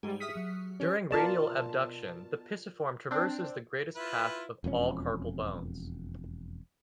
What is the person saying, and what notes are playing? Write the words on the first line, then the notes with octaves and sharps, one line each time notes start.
During radial abduction the pisiform traverses the greatest path of all carpal bones.
G#2 G3 G4 G#4
E5 D#6 F6 B6 C#7
F#3
C#4 G4 C5 C#5
B2 F4 A#4 D5 A5 F6
C4 D4
E4 F4 B4
E1 F2 E3 C#4